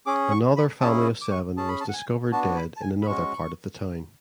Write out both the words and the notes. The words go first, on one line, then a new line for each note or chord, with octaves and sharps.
Another family of seven was discovered dead in another part of the town.
C#4 G#4 D6
C#6
B5
C#4 E4 G#4 A5
D6
C#6
C#4 G#4 A5
B5
A5
F#5
G#5
B3 D4 F#4 A5
B5
A5
G#5
B5
G#3 C#4 F#4 C#6